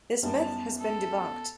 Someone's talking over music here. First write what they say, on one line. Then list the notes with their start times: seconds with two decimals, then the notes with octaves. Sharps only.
This myth has been debunked.
0.23 F#2 G3 B3 D#4 A5
0.79 A4